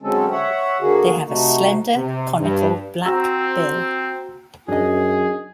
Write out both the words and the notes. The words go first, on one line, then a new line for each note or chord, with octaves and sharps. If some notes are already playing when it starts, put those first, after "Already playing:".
They have a slender conical black bill.
D3 F#3 G#3 C4 C#4 A4
C#5 E5 F#5
D3 A#3 F#4 G#4
C3 A3 D#4 F#4
C3
G2
C4 F#4 A#5 E6
F#2 D4 G#4 D#5